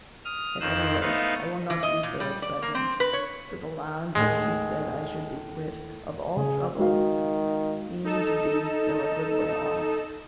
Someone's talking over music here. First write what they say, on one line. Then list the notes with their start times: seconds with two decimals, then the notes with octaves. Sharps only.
At any rate I will not do so at present, for the land where she said I should be quit of all troubles seemed to be still a good way off.
0.25 D#6 F6
0.60 F2 D#3 C5 E6 F#6
1.01 A3 B3 D#4 F5
1.70 E3
1.83 D#5
2.03 A#2
2.20 G3
2.42 D5
2.62 A#3
2.75 C4
3.00 B4
3.13 C#5
4.15 D#2 A2 G#3
6.37 C#3 G#4
6.79 D#3 G#3 F#4 F5
8.04 D#4 A4 E7